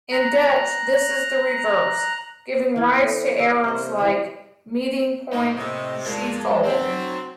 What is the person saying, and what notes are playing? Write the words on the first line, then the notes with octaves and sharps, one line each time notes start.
In Dutch this is the reverse, giving rise to errors like "Meeting Point Schiphol".
A#5 F#6
E3 B3 B4 F6 G#6
A4 C5 E5
G3 C#4 E6 D7
C3 C5 G6
E3 G#3
A2 D#4
C3 D#5
E2 A#2 G#3 A5
C4 C5 F#5
F#3